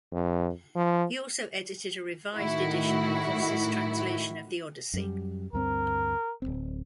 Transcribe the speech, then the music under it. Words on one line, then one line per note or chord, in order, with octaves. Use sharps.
He also edited a revised edition of Voss's translation of the "Odyssey".
F2
F3
A2 D#3 E4 F#4
F#2 G3
D2 G2 C4 A#4
D1 G#1 C4